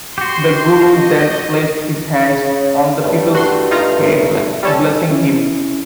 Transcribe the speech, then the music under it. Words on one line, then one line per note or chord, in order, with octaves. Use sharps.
The guru then places his hands on the pupil's head, blessing him.
F#4 G4 C6
D#5
C#3
G2 A3
F#4 C6
D#4 F4 A#5
G3 C#4 A4
C#4 E4